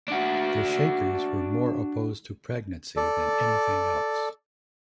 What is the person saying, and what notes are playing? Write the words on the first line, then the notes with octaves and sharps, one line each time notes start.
The Shakers were more opposed to pregnancy than anything else.
D4 F#4
A4 D5